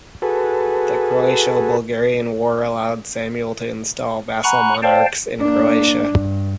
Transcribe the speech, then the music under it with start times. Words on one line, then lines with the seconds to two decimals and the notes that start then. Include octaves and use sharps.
The Croato-Bulgarian War allowed Samuel to install vassal monarchs in Croatia.
0.22 F#4 G#4 A4 B4
4.43 F#5 G#5 A#5 B5 C#6 F#6
4.83 C5 D5 F5 G5 A5
5.40 A#3 D4
6.10 G2